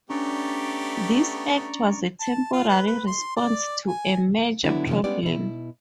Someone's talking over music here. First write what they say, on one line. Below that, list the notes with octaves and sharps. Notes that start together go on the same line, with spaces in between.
This act was a temporary response to a major problem.
A3 B3 C#4 D4 G4 D5 A#5 C#6
A5
F4
B4
B4
C6
D5
G#5
D3 F#3 B3 D4 E4
C3 D#3 F3 G#3 C#4
G3 G#3 B3 C#4 G4 D5
B2 E4